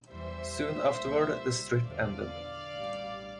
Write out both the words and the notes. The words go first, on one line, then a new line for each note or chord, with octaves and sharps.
Soon afterward the strip ended.
E2 E3 G3 C5 E5
C2 A#2 G3
E2 D3 F3 D5 F5
A1 A2 G3